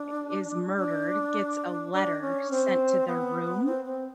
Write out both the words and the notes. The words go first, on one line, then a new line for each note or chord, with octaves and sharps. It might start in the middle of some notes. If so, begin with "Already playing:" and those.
i is murdered gets a letter sent to their room.
Already playing: D4
D4
D4
C#4
C4
B3
C4
C4